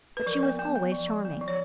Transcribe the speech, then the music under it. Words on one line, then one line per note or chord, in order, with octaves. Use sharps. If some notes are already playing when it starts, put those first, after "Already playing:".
But she was always charming.
B4
F3 A#4
B3
B3
B3
F3
F3
B3
F3
C#5